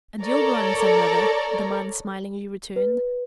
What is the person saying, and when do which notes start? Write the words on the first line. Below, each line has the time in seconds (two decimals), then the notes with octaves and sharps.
"And your grandson, mother?" the man smilingly returned.
0.23 A4 A#4 C#5 D5 A#5
2.76 B4